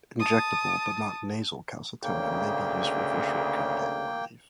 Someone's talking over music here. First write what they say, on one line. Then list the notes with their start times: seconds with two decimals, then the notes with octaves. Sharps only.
Injectable but not nasal calcitonin may be useful for short term pain relief.
0.19 A5 D#6
2.03 D2 C#3 A#3 G5